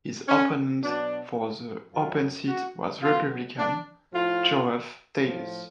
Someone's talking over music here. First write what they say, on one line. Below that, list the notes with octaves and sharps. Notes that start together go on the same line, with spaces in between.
His opponent for the open seat was Republican Geoff Davis.
C#4
B2 F#3 D4
F#2 D3 F#3 F4
F#4
B2 F#3 F4
D4
A2 F3 F4
A2 F3